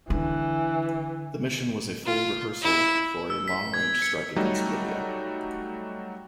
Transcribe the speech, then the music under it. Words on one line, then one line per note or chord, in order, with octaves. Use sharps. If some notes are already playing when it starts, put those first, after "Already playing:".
The mission was a full rehearsal for a long-range strike against Libya.
D3 E3
F4
E4
E6
B6
G#6
C#7
F#3 G3 A3 D#4